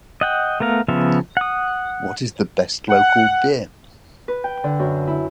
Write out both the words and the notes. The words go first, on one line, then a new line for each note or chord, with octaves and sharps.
What is the best local beer?
D#5 F#5 G5
A3 B3 A#4 F5
C#3 F3 B3 E5 F5
F#5 D#6
F#5
B4
G5
D3
F#2
E4